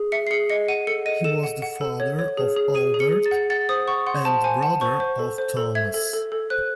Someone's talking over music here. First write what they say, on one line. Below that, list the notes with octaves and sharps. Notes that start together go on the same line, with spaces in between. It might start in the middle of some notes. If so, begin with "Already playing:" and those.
He was the father of Albert and brother of Thomas.
Already playing: G#4
E5 C#7
C7
G#4 C#7
D#5 C#7
F#5 D#7
A4 C#7
D#5 D#7
A4 E7
F#5
F#5
A4
C#5
C#5
G#4
G#4
G#4 D#7
G#4
C#7
G#4
A6
F#5
F#5 A6
C5 D#6
F#5 C#6
F#5 C6
C5 A5
C5 G#5
F#5 A5
C5 C#6
C5
A4
C5
A4
E5 G#6
A4
A4
A4
C5 F#6